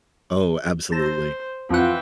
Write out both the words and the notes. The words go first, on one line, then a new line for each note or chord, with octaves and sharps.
Oh, absolutely.
C5 A5 A#5 E6
F2 E3 F4 F#5 G5